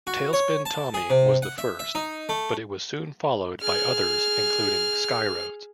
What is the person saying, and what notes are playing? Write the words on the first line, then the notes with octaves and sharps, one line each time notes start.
"Tailspin Tommy" was the first, but it was soon followed by others, including "Skyroads".
F#4
C#5
A5
G#4
C3
F#5
E5
E5
D#4
A3
G#4 F6